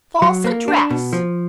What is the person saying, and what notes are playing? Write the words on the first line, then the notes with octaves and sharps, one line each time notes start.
"False address!"
F#3
A#3
D4
B2
F3